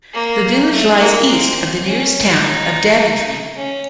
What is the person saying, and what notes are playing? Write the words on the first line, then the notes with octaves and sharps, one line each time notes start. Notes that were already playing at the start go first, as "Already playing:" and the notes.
The village lies east of the nearest town of Daventry.
A#3
A3
A#3
C4
C#4
D#4
C#4